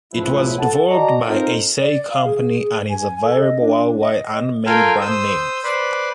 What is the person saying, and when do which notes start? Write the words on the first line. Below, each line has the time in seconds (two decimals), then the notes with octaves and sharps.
It was developed by Eisai Company and is available worldwide under many brand names.
0.13 C#2 F#2 A2 F3 E4 B4
0.59 A4 F#5 A5
0.89 F#4 D5 D#5 A5 A#5
1.26 C4 D#4 F4 A4 A#4 C5
1.80 D5
2.10 F5
2.25 G#4
2.90 G#5
3.24 A4
3.40 D#5
3.61 D4
4.00 D#5
4.66 F4 A4 A#4 F5 G5 G#5
5.01 C5 D#6 E6 G6
5.64 B4 C5 D5 B5 C6